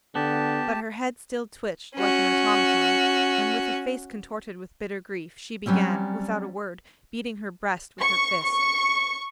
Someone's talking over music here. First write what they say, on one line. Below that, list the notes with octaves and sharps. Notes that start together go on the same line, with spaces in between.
But her head still twitched like an automaton and with a face contorted with bitter grief she began, without a word, beating her breast with her fist.
D3 B3 G4 A5
C#4 F#4
F#3 G3 C4 C#4
C#6
C#6